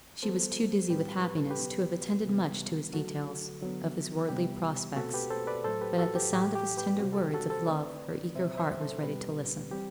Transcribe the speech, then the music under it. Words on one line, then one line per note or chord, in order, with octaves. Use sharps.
She was too dizzy with happiness to have attended much to his details of his worldly prospects, but at the sound of his tender words of love her eager heart was ready to listen.
E3 G3 B3 A4 C5
A2 G3 C4 G4 B4
B4
A4
G4 B4
B2 F#3 B3
C3 E3 G3 B3
D3 F#3 A3 F#4 A4
D3 F#3 B3
C3 E3 G3 B3 G4
B2 A3 C4 F#4 A4
G4 B4
A4 C5
B4 D5
A2 F#3 A3 A4 C5
G4 B4
F#4 A4
G4
A2 E3 A3 G4
G4
G4 B4
C3 G3 C4 F#4
A4
G4
F#4 A4
A4 C5
D3 A3 C4 B4 D5
B2 F#3 C4 C5 E5
C5 E5
A4 C5
B2 G3 C4 G4 B4
E3 G3 C4 G4